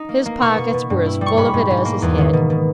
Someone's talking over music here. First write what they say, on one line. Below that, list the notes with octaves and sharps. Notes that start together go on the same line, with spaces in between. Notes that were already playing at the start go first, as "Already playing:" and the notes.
His pockets were as full of it as his head.
Already playing: D#4
A#3
A#3
B2 C#6
B2
B2
G2
E4
G3
C#6
G#2 B5
G#2
G#2
A#3
E2
D#3
B2
B2